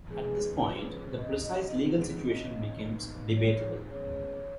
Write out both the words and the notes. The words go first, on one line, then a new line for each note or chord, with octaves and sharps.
At this point, the precise legal situation becomes debatable.
C#3 G#3 B3 D#4 G#4
F2 F3 G#3 C#4 B4
B2 A#3 C#4 D#5
F#2 F3 G#3 B3 D#4
D#3 A#3 C#4 D#5
B2 A#3 D#4
G#2 F3 A#3 D#4 C#5
B2 G#3 C#4 C#5